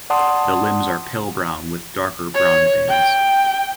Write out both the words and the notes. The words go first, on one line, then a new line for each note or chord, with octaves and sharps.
The limbs are pale brown with darker brown bands.
D5 F#5 A5 C6 D#6
C#5
G5